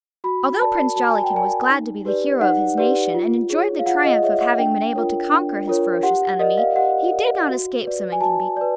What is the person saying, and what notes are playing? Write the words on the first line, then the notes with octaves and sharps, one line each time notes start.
Although Prince Jollikin was glad to be the hero of his nation, and enjoyed the triumph of having been able to conquer his ferocious enemy, he did not escape some inconvenience.
F#4 B5
A#4 D5 A5
F#4 A5
G#5
G5
A#4 D5 G#5
D#4
G4 B4 D5
D#4 F#5
G4 B4 D5
F4
G#4 C#5
F5
F4 F#5
D#5
G#4 C#5 E5
F#5
D4 G5
F4 A#4 C#5
D4
F4 A#4 C#5
G4 F#5
A#4 D5 D#5
F5
G4 F#5
A#4 D5
F#4
B4 D5
G#5
F#4 A5
B4 D5